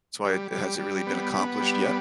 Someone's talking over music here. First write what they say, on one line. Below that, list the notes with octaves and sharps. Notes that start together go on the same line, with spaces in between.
it's why has it really been accomplished yet?
G3
G3
G3
B3
B3
G3